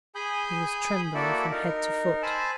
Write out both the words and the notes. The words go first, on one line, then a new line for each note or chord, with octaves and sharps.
He was trembling from head to foot.
G#4 G#5 B5 D#6 G6
A#3 E4 F#4 A4 D5 E5
D#4 A#4
C5 G#5 A5 B5 E6